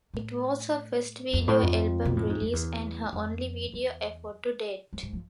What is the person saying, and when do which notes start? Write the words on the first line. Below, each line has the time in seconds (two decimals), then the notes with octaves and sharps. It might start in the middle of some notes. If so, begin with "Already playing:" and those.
It was her first video album release and her only video effort to date.
0.14 A2
1.33 F2
1.48 A2
1.63 F2
2.05 B2
2.17 A2
2.30 G#2
2.41 F2
2.53 E2
3.13 F2
3.73 E2
4.93 F2
5.03 G#2
5.13 F3